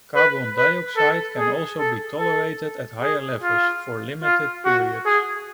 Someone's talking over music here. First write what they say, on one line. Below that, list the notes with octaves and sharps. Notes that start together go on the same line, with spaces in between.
Carbon dioxide can also be tolerated at higher levels for limited periods.
B4
B4
A4
G#4
A4
A4
G#4
F4
F4
F#4
G#4